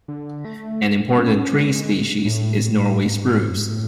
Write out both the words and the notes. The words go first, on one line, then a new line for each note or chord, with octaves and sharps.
An important tree species is Norway Spruce.
D3
A3
C#4
G#3
A2
G#2
A2
G#2
F#2
G#2
A2